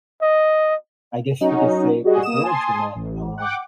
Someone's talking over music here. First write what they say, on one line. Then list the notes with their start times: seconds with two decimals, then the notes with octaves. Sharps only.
I guess you could say before internet, um,
0.22 D#5
1.40 F#3 C#4 D#4 F#4
2.04 G3 F#4 G#4 D#5
2.23 A#3 D#6 E7
2.44 G#5 A5 C6 D#6
2.95 A1
3.38 F#5 G5 D6